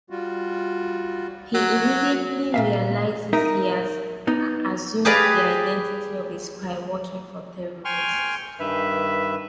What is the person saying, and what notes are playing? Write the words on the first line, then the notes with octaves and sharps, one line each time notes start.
He immediately realizes he has assumed the identity of a spy working for terrorists.
G3 F4 F#4
F#3
A#2 E5 F5
D#4 A#4 E5
B3 D#4
G4 G#4 B4 D5 D#5 F5
G5 G#5 C6 C#6 F6
G2 D#3 B4 E5